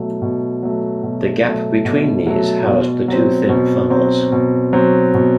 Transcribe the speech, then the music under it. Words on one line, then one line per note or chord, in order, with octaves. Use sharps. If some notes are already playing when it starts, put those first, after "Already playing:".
The gap between these housed the two thin funnels.
Already playing: B2 F#3 A3
B2
F#3 A3
B2
F#3 A3
B2
F#3 A3
B2
F#3 C4
B2
F#3 C4
B2
F#3 C4
B2